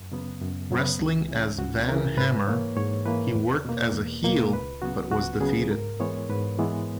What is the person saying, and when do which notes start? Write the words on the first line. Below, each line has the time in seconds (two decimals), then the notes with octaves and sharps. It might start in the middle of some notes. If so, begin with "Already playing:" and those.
Wrestling as Van Hammer, he worked as a heel but was defeated.
Already playing: F#2
0.12 C#3 F#3 B3
0.41 F#2
0.71 C#3 F#3 B3
0.99 C#2
1.29 C#3 E3
1.59 C#2 F#4
1.89 C#3 E3 A#4
2.17 G#2 B4
2.46 E3 A#3 C#5
2.77 G#2 C#5
3.05 E3 A#3 B4
3.35 E2
3.65 B2 A#3
3.94 E2
4.24 B2 A#3
4.52 C#2 B4
4.82 C#3 F#3 B3 F#4
5.12 C#2 F#4
5.41 C#3 F#3 B3 G#4
5.71 G#2 A#4
6.00 E3 G#3 B3 C#5
6.29 G#2 B4
6.59 E3 G#3 B3